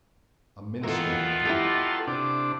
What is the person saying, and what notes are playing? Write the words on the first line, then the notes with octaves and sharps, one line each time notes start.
"A minister indeed!"
D#3 E3 B3 F4 A4 A#4
E4 G4 A4
C3 D4